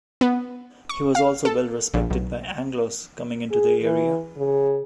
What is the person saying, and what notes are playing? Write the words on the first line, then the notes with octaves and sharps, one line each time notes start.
He was also well respected by Anglos coming into the area.
B3
C#6
F5
A4
A#1
B1
G#4
E3
C#3